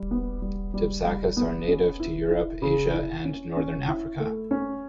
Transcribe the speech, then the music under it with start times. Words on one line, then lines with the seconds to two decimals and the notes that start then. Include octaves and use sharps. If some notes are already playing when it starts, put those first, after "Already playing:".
Dipsacus are native to Europe, Asia and northern Africa.
Already playing: G3
0.11 B3
0.42 G3
0.74 G3
1.05 G3
1.37 B3
1.68 C#4
2.00 E4
2.31 E4
2.62 C#3
2.94 E4
3.25 C#4
3.57 C#4
3.88 E4
4.20 A3
4.51 C#4